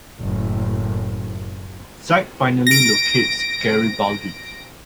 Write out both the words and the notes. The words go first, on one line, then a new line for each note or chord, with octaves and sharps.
Zack finally locates Garibaldi.
F#1 A2
A#6 D7